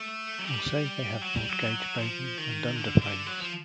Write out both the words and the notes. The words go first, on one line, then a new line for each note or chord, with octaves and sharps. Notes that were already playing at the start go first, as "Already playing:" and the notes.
Also, they have Broad Gauge bogies and under-frames.
Already playing: A3
F#3
G3
F#3
G3
F#3
F3
D#3
D3
D3
F#3
F3